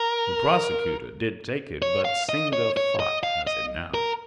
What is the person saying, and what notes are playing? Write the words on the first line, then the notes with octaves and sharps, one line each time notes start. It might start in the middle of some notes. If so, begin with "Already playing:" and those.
"The prosecutor did take it, but Singa Phut has it now."
Already playing: A#4
C#5
F5
D#5
C#5
C#5
D#5
F5
D#5
A#4